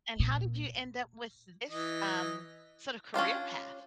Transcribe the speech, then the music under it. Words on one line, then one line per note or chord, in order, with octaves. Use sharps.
And how did you end up with this, um, sort of career path?
A#2
E3 D#5
C#4 D4 F4 G4